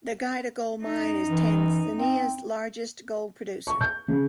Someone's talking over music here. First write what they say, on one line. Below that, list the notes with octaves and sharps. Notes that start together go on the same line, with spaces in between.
The Geita Gold Mine is Tanzania's largest gold producer.
F#2 D#4
E3
C4
C#6
G6
C#3